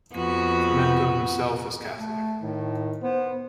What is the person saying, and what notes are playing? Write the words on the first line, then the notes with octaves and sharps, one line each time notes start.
Fumento himself is Catholic.
F2 B3 F#4
A3
A2 D#3
B3 C5